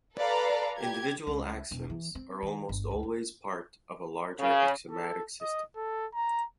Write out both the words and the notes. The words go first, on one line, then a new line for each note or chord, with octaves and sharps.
Individual axioms are almost always part of a larger axiomatic system.
A4 B4 D5 F5 A#5
G4 G#6
C#2
E1
E3
C4
D#3
G1
C#2
D2
C#3
A4
D#5
A4
A#5